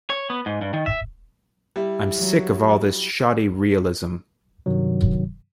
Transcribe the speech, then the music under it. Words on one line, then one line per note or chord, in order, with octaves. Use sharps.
I'm sick of all this shoddy realism.
C#5
B3
G#2
G2
D#3
E5
G3 E4
F#3
G2 C3 D#3 F#3